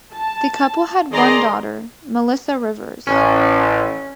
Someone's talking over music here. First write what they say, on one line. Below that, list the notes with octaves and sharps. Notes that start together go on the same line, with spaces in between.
The couple had one daughter, Melissa Rivers.
A5
D#3 G#4 D5 D#5 A#5 C6
A1 C#4